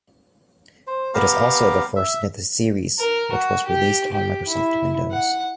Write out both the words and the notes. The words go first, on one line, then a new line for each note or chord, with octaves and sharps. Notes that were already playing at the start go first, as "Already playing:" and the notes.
It is also the first in the series which was released on Microsoft Windows.
C5
B3 G4 F5 A#5
E5
A#4
F#4
G4
G4
E4
F#5